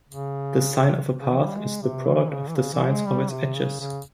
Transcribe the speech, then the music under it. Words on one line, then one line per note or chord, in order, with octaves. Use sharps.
The sign of a path is the product of the signs of its edges.
C#3
C#3
E3
G3
G#3
C3
E3
C#3
E3
C#3
E3
G#3
G3
C3
C#3
C#3